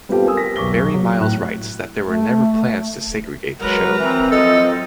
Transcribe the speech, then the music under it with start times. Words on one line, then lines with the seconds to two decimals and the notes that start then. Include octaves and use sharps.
Barry Miles writes that there were never plans to segregate the show.
0.09 G3 B3 C4 F4 G4 A4
0.25 G4 A#4 G#5 D#6 E6
0.37 A#6 B6
0.56 B1 E2 C#6 D6 A#6 G7
0.94 F#3
1.21 A2 F#6
2.07 A3
3.59 F#3 G#3 A#4 B4 A#5
3.98 E3 C4
4.31 F3 F#3 A4 D#5